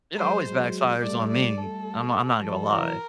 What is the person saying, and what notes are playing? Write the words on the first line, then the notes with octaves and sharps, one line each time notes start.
It always backfires on me, I'm I'm not gonna lie.
F#3 G#3 C5
F#3 G#3
G3 A3 D5
D5
G3 A3 A4
F3 G3 A4
E3 F#3 A#4